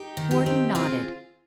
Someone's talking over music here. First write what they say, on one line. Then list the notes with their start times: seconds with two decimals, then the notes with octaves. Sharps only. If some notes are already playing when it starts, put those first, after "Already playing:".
Wharton nodded.
Already playing: D#4 G4
0.17 D#3
0.31 D#4 G4
0.46 C4
0.75 C4 F4 G#4